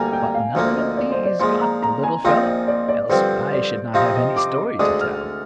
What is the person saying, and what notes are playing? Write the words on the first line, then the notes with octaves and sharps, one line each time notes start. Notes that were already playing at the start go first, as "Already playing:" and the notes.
But none of these got the little fellow, else I should not have any story to tell.
Already playing: D2 D3 G3 A#3 G#5 A#5
G5
F5
D2 D3 F3 A#3 F5
D#5
D5
C5
D5
A#2 F3 G#3 C6
A#5
A#5
G#5
A#1 A#2 F3 C4 D#4 F5
D#5
D5
D5
G2 D3 F3 C4 C5
D5
C3 F3 C4 D#4 F5
D#5
D6
D2 D3 G#3 D4 D#6
F6